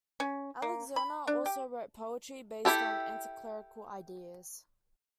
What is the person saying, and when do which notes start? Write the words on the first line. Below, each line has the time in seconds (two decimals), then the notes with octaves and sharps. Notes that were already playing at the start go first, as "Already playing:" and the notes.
Alxinger also wrote poetry based on anticlerical ideas.
0.20 C#4
0.62 A#3
0.96 B5
1.27 D4
1.46 G4
2.65 E4 G4 A4